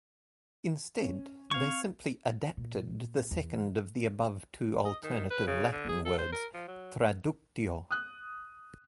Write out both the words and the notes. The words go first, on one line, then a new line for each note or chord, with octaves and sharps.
Instead, they simply "adapted" the second of the above two alternative Latin words, "traductio".
C#4
C4 F5 C#6 G#6
A#2
E2
D#5
D#3
B4
C#3
D3
G#4
A4
C5
A#4
F3
F#3
D#6 F#6